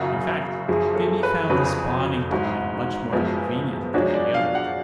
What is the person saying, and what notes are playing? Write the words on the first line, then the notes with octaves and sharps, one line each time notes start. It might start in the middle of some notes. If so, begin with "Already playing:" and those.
In fact, Gibbey found the spawning time much more convenient than any other.
Already playing: F#1 F#2 C#3 F4 F#4
F#1 F#2 F3 G#4
A4
B4
F1 F2 C#3 F#3 C#4 B4
A1 G#2 F#3
F#1 F#2 F3 G#3 B3
F#2 F3 G#3 D4 F#4 C#5
D5
F5
F#5